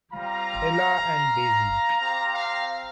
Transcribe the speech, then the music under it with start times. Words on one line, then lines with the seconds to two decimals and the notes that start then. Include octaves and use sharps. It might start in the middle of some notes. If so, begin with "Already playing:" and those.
Ella and Basie!
0.12 G3 C4 F4 F5 A#5
2.00 C4 G4 F5 A#5
2.32 F5 A#5